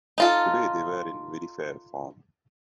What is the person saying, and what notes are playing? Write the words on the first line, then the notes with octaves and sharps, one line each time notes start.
Today they were in very fair form.
D#4 F4 A4